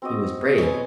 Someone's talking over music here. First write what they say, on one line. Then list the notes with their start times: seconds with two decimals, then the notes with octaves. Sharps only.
He was brave.
0.02 C4 F#4 D#5
0.58 B2 C#4